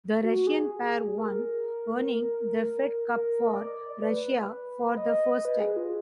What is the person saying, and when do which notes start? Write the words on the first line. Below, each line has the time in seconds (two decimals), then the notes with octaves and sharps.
The Russian pair won, earning the Fed Cup for Russia for the first time.
0.23 F#4
0.47 G#4
1.18 A#4
3.07 A#4
3.47 D#5
3.55 D5
3.92 D5
4.02 B4
4.97 D#5
5.45 B4
5.60 G#4
5.76 F4